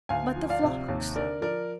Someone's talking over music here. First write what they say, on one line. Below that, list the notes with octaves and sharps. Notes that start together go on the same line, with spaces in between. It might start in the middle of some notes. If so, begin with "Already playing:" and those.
"But the flocks!"
D2 F5 G#5
F3
D5 F5
C3
D#2
D3 A#4 D5
F3 A#4 D5